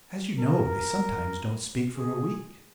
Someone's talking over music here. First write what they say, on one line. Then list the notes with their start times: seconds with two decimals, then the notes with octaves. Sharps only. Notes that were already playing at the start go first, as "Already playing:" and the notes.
As you know, they sometimes don't speak for a week.
0.39 A#4
1.98 G#4